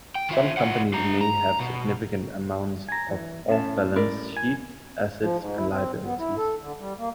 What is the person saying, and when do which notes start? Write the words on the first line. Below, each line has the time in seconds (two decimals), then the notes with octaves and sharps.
Some companies may have significant amounts of off-balance sheet assets and liabilities.
0.15 G5
0.29 D#3 F4 E5
0.57 F4 D5 F#5
0.93 D4 D5 A#5
1.21 A#5
1.60 B2
2.89 G#5 A#5
3.09 E3
3.49 A2 C#4 A5
3.96 E4 A#4 D5
4.37 G#5
5.21 F3
5.39 G#2
5.57 E4
5.71 C4
6.04 B3
6.19 E4
6.37 A4
6.60 D3
6.79 G3
6.98 A#3